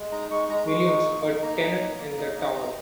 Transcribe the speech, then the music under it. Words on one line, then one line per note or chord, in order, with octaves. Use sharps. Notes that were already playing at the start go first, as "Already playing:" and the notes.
Williams, a tenant in the tower.
Already playing: G#3
D#4 A#5
G#3 C#6
G#3 A#5
G#3 C#6
D#4
A#3
D#4
A#3 A#5
D#4
A#3
A#3
D#4
D#4
D#4 A#5